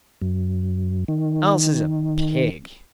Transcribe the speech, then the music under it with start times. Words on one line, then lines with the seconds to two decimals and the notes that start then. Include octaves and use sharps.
Alice is a pig.
0.22 F#2
1.08 D#3